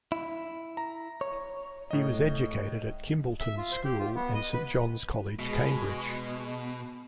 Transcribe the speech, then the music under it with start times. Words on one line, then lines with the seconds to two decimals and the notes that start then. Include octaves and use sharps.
He was educated at Kimbolton School and Saint John's College, Cambridge.
0.12 E4
0.77 A#5
1.21 C#5
1.91 A2 D#5
3.40 E5
3.58 F4
3.72 C5
3.84 G4
3.99 F4
4.15 B3
4.34 D#5
4.53 B4
5.39 B2 G#3